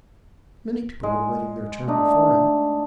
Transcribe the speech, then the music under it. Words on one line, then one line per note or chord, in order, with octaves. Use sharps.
Many people were waiting their turn before him.
G#3
A3 D4 D#4